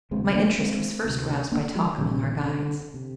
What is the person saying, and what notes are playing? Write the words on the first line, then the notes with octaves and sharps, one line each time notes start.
My interest was first roused by talk among our guides.
D2 C3 G#3 C4
A#3 D4
G#3 C4
D2 C3
A#3 D4
F3 G#3
A#1 A#2 D#3 G3
D#3
D3
C3